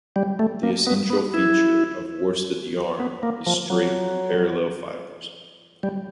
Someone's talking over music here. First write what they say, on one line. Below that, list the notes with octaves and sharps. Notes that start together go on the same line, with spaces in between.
The essential feature of worsted yarn is straight, parallel fibres.
G3
A3
A#3
B3
B3
E4
B3
A#3
F3
F#3
G3